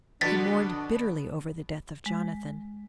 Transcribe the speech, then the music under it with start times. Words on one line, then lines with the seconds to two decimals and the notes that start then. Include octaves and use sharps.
He mourned bitterly over the death of Jonathan.
0.21 B2 D3 F3 B3 D4 F#4 A6 B6
2.06 G#3